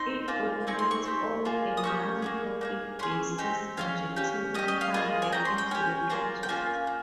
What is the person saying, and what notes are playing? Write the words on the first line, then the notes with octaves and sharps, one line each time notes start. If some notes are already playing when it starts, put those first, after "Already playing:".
It operates on a non profit basis, injecting income back into the project.
Already playing: C4 D#4 C6
A#3 F4 G#4
C4 D#4 G#4 C#6
C6
C#6
C4 G4
A#3 F4 G#4
D#6
A#3 C#4 G4 C#6
A#3 F4 G#4
A#3 D#4 G#4
C#4 G#4 C6
C4 D#4 G4
C#4 F4 G#4 F5
C#4 G4
C#4 G4 D#5
D#5
F5
A#3 F4 G#4 D#5
G#5
C#4 G4 A#5
C6
G5
C#4 G4 G#5
A#3 F4 G#4 A#5
G5
A#3 C#4 F4 G#5
A#3